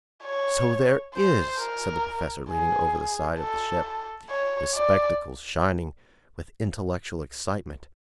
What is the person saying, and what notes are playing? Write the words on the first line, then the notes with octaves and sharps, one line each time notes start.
"So there is," said the Professor, leaning over the side of the ship, his spectacles shining with intellectual excitement.
C#5
C5
A#4
G#4
A4
C#5
D5